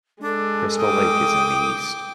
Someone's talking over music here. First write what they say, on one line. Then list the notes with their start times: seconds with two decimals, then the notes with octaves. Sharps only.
Crystal Lake is in the east.
0.23 G#3 D4 A4
0.78 G5 D6 D#6